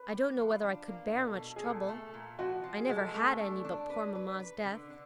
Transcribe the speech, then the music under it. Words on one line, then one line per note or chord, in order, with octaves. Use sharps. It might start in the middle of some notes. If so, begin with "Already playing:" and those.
I don't know whether I could bear much trouble; I never had any but poor mamma's death.
Already playing: B4
G4
F3
D4
A#3
B2
A4
B2
G#4
A#2 A4
A3
A#2
F3 F#4
F3
G#4
G#3
A4
A3 A4
D4
D4
B4
B4
B4
D3
D3